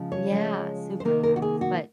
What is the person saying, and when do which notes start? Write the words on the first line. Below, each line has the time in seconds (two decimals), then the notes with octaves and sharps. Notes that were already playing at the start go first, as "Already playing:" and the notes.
Yeah, super fast. But,
Already playing: C#3 F3 G#3
0.12 C#5
0.30 C#3 F3 G#3
1.00 C5
1.05 C3 D#3 A#3 A#4
1.23 A#4
1.36 F#4
1.42 G#4
1.61 F#4